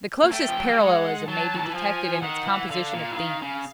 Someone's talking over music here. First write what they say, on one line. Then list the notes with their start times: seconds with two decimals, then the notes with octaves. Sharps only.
The closest parallelism may be detected in its composition of themes.
0.24 A#3
0.32 A3 G5
0.48 F3
0.59 F#3
0.69 G3
0.79 G#3 F#5
1.27 F#3 A5
1.55 D#3
1.65 E3
1.75 F3 G#5
2.22 D#3 F#5
2.47 E3
2.70 D3 F5
2.94 A#2
3.11 E3
3.18 D#3
3.42 C#3